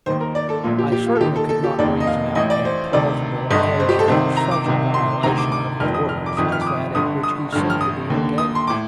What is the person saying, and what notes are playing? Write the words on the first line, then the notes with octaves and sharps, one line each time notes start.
I certainly could not reason out any plausible occasion for such a violation of his orders as that in which he seemed to be engaged.
D#2 D#3 C5
A#4
D5
A4
A#1 A#2 F4
G4
G4
F4
A4
D#2 D#3 G4
A4
A4
G4
F1 D#2 D#3 D5
D#5
F5
A1 A2 D#5
D5
C5
D2 C3 D#3 D5
G1 G2 D3 D#5
C5
G4
A4
C2 C3 D#3 C5
A#5
D6
C2 C3 D#3
C6
D2 C3 D#3 A#5
D6
D6
F1 F2 D#3 F6
D#6
F6
D6
G1 F2 D#3 D#6
F6
D6
D#6
G1 G2 D3 D#6
D#6
A1 G2 D3 F6
F6
D#6
D#2 D3
D#6
C6
A2 D6